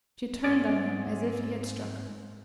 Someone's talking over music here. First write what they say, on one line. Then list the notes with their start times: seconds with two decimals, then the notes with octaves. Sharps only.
She turned on him as if he had struck her.
0.44 G#2 C3 C4 G#4 D5